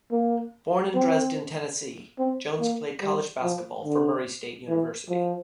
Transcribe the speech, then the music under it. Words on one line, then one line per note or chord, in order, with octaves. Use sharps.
Born in Dresden, Tennessee, Jones played college basketball for Murray State University.
A#3
C4
C4
A#3
G3
F3
D3
E3
F3